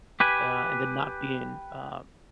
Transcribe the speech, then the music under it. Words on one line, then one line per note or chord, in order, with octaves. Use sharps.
uh, and then not being, uh
G4 B4 G#5